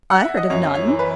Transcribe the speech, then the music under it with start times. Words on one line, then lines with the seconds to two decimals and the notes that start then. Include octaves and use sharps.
"I heard of none."
0.10 F#5
0.24 E5
0.37 D#5
0.50 F#2 C#5
0.74 C#5
0.87 E3
0.99 B4